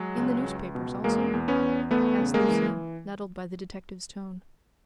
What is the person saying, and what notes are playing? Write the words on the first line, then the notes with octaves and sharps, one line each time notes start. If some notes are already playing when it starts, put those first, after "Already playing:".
"In the newspapers, also?" asked Lucian, nettled by the detective's tone.
Already playing: F#3 G#3
C#2
C#2
B2
E2 G#3 A#3
E2
B3 C#4
E2
E2 A3 B3
C#3
G#3 A#3
E3